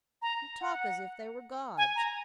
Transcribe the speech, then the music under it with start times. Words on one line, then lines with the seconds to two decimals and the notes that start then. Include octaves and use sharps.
You talk as if they were gods.'
0.22 A#5
0.61 F#5
1.77 G#5
1.96 A#5